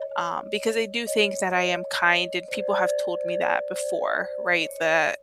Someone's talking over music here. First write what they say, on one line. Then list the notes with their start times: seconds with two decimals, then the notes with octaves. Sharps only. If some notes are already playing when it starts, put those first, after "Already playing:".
um, because I do think that I am kind and people have told me that before, right? That,
Already playing: C#5 D#5
1.07 C#5 D#5
2.48 C5 D5
4.61 C#5 D#5